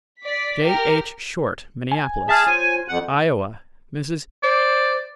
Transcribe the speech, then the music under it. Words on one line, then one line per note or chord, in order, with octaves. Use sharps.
J. H. Short, Minneapolis. Iowa-Mrs.
D5 B6
G4 A#4 F6
G#5
G#4 E5 A5 F6
F4 C5 C#5 G#5
F2 F#5
C5 D5